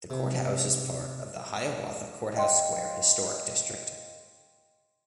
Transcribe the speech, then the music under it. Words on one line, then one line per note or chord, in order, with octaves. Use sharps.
The courthouse is part of the Hiawatha Courthouse Square Historic District.
C3
D#5 F5 G5 C6